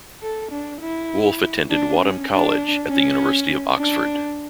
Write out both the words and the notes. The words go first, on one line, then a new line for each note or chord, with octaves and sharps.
Wolfe attended Wadham College at the University of Oxford.
A4
D4
E4
D4
C#4
D4
C#4
D4